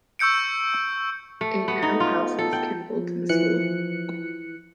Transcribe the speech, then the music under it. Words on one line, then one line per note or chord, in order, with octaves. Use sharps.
It now houses Kimbolton School.
C#6 E6 G6 C#7 D7
A3
B3
D#4
F4
A4
G5
F3
E3 F#6 C#7